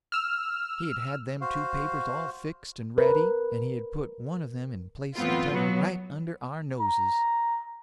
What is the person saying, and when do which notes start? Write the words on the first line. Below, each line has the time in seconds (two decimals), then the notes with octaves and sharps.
He had had them two papers all fixed and ready, and he had put one of them in place of t'other right under our noses.
0.12 E6 F6
1.41 F#4 C5 F5
2.98 A#4 B4
5.16 F#2 A2 E3 B3 C4 F4
5.50 F#3 B3
6.80 A#5